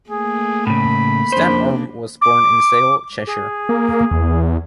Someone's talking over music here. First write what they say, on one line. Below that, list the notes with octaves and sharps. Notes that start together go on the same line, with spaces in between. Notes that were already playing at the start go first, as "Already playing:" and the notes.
Stan Orme was born in Sale, Cheshire.
A3 A#3 G#4
A2 C#3 B5
F2 C#3 A#3 D4 C5
D6
G#4
A#3
E2